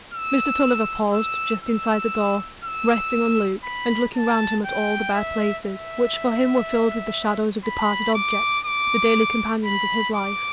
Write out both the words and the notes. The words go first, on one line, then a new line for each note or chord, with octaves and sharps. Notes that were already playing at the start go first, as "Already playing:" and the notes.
Mr. Tulliver paused just inside the door, resting on Luke, and looking round him at all the bare places, which for him were filled with the shadows of departed objects,--the daily companions of his life.
E6
E6
E6
E6
B5
A5
G5
E5
E5
B5
D6
D6
B5
D6